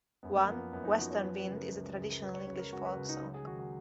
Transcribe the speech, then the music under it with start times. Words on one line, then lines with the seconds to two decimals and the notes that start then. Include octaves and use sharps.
One, "Western Wind", is a traditional English folk song.
0.23 F#2 B3
0.36 A#3
0.48 F3 B3
0.73 F#2 B3
0.85 D#4
0.98 F3 F#4
1.10 C#5
1.23 F#3 B4
1.39 B4
1.47 C#3
1.56 A#4
1.72 C#2
1.98 C#2 G#4
2.10 A#4
2.22 F#3 B4
2.34 C#5
2.47 C#3 B4
2.59 A#4
2.72 C#2 F#4
2.85 B4
2.96 C#2
3.09 D#4
3.22 F#3
3.34 G#4
3.46 D#3 F#4
3.59 F#4